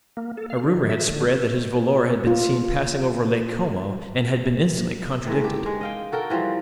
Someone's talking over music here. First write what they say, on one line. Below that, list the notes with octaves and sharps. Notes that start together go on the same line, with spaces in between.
A rumour had spread that his volor had been seen passing over Lake Como, and had been instantly contradicted.
A#3
A4
F5
D4
D#3
E5
D3
F4
D#3 E3 G#3 A3
G4
G#3
D#5 F5 G5
F#4 A4 A#4 G5
E3 F3 G3 C4